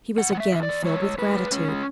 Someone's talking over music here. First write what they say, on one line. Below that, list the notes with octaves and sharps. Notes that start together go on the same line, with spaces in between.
He was again filled with gratitude.
B2 F#5
G#3 F#5
E5
E2 E5
D5
E2
G#3 C#5
G#3
A2 B4
G#3
G#3 C#4
G#3